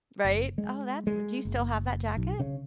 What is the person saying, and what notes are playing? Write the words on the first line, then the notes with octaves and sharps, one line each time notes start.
Right? Oh, that's do you still have that jacket?
F#1
G#3
G#3
F#1
B1
C#3